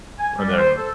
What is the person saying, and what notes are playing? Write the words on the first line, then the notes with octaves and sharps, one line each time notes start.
And then
G#5
G3
C5
A4